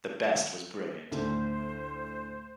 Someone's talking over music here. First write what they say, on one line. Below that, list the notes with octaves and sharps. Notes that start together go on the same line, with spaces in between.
The best was brilliant.
D2 A2 D3 C5